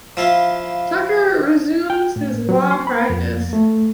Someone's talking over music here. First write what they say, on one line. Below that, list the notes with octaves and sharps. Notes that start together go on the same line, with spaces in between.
Tucker resumed his law practice.
F3 E4 F4 F5 B5
G5
A2
F#3
C6
B5
F2
A3